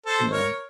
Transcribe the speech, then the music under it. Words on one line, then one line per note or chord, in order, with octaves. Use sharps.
you know?
A4 C5
A#4 C#5